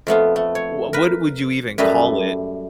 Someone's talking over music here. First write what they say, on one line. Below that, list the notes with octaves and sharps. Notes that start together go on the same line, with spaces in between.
wha what would you even call it?
F2 A3 B3 F5
A3
C#5
A#4 B4
F#2 G3 A3 B4 D#5